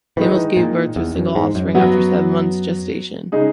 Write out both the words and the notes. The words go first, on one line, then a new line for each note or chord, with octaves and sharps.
Females give birth to a single offspring after seven months' gestation.
D#3 E3 G#3 D#4
A#2
E2
F#2
G#2
F#2
F#3 B3 F#4
C#3 G#3 D#4 G#4